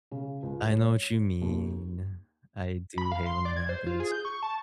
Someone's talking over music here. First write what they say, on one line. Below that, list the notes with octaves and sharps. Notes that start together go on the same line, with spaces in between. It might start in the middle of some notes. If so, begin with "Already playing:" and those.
I know what you mean. I do hate when that happens.
C#3
C#2
C#5
D#2
B5
F5
C6
D5
G#6
C5
F4
G#4
G6
C#6
A5